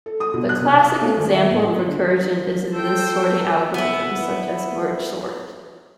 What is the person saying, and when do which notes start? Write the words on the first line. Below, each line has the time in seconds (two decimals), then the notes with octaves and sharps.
The classic example of recursion is in list-sorting algorithms such as Merge Sort.
0.06 A4
0.20 D#6
0.34 B2
0.49 F#6
0.61 C3
0.79 F5
1.01 A3
1.17 G#1
1.34 E5
1.51 A2
1.65 F3
1.86 D3
2.73 A4 C5 G5
3.74 B3 E4